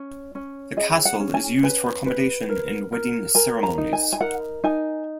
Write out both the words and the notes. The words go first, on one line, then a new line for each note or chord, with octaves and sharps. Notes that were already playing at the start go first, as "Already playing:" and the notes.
The castle is used for accommodation and wedding ceremonies.
Already playing: C#4
C#4
G#4 D#5
F#5
C#4
G#5
B4 G#5
B4
A#4
A#4
A#4 G#5
A#5
D#4
G#5
G#5
A#4 F#5
D#4 G#5